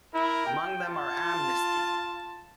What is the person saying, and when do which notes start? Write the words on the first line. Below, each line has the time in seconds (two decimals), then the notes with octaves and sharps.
Among them are Amnesty!
0.14 E4 A#4
0.46 G5
0.84 F4 A5